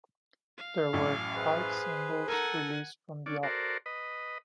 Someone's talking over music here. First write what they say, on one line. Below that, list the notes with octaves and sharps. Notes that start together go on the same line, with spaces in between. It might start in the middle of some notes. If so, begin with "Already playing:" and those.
There were five singles released from the album.
F5
A1 F#2 A2 G#5 C#6 D6
G#4 B4 C5
A4 A#4 F#5 G#5 A#5
C#4 D4 D5
F#4 A4 A#4 C5 D5
B4 D#5